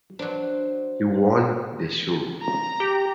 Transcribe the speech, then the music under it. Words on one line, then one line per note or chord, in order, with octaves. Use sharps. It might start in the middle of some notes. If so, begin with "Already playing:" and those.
He won the show.
F#3 D4 C5
A#5
G4